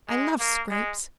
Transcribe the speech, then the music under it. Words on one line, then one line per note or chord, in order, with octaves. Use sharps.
I love scrapes.
G#3
A#3
G#3